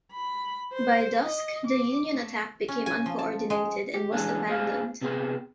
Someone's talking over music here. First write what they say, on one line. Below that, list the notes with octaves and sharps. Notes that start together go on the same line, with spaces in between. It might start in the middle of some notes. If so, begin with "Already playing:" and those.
By dusk, the Union attack became uncoordinated and was abandoned.
B5
C5
D#5
D6
A3
C#4
G#5
F3
A5
G#3
G4
E3 G#3 A3 C#4 D4
A3 G#4 C5 F5
C3 B3 G#4 G5 C6